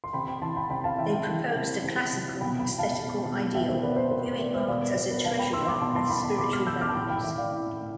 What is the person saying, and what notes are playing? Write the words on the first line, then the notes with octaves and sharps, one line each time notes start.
They proposed a classical aesthetical ideal, viewing art as a treasurer of spiritual values.
C6
C3 G5 B5
G5 B5
E3 A5 C6
G5 B5
C3 G5 B5
F5 A5
E3 E5 G5
E5 G5
E3
C3
C3
C3
B2 G5 B5
G5 B5
B2
F5 A5
B2
B2
B2 E5 G5
C5 E5
B2 B4 D5
C5
B2 B4
C5
B2 B4 D5
C5 E5
B2 D5 F5
B4 D5
B2 C5
B4 D5
B2 F5 A5
G5 B5
B2 C6 E6
B5 D6
B2 A5 C6
A5 C6
B2 G5 B5
A5 C6
B2 B5 D6
D6 F6
B2 E6 G6
D6 F6
A5
A2 G5 B5
G5 B5
E3 E5 G5
D5 F5
A2
A2